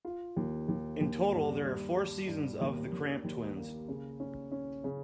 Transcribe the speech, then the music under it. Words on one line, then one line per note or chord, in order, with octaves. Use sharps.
In total there are four seasons of "The Cramp Twins".
F4
D#2
D#2
D#2
G2
G3
G3
G2
D#2
D#2
D#2
A#3
C#3
C#4
C#4
C#3